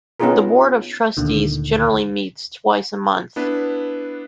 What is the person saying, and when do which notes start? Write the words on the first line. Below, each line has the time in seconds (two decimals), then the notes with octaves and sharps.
The board of trustees generally meets twice a month.
0.20 B3 C#4 D#4 F4 G#4 A#4
1.17 D2 A#2 D3 D#3
3.36 B3 D4 E4 B4